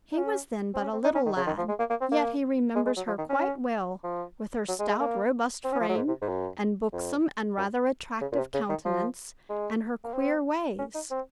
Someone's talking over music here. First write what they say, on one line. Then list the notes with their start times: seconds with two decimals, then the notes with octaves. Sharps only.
He was then but a little lad, yet he remembers her quite well, with her stout, robust frame, and buxom and rather attractive countenance, and her queer ways.
0.13 D#4
0.18 C#4
0.74 C4
0.82 C#4
0.93 C4
1.04 D#4
1.15 C#4
1.26 D#3
1.36 C#3
1.46 D#3
1.58 F3
1.69 G#3
1.79 A#3
1.90 A#3
2.01 C4
2.12 A#3
2.75 G#3
2.86 G#3
2.97 F#3
3.07 F3
3.18 D#3
3.29 C#4
4.04 F3
4.68 F#3
4.79 G#3
4.89 G#3
5.00 A#3
5.64 C4
5.72 C#4
5.80 F3
5.89 F#3
5.97 G#2
6.08 C3
6.22 G#2
6.29 F#2
6.93 F2
7.58 F#2
8.21 C#3
8.32 A#2
8.37 C3
8.54 C#3
8.69 D#3
8.85 F3
9.49 G#3
10.04 A#3
10.14 C4
10.79 C#4
10.95 D#4
11.11 C4